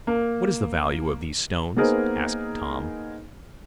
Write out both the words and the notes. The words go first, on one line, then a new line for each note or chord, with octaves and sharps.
"What is the value of these stones?" asked Tom.
A#3
A#3 B3 D#4 G#4 A#4 C5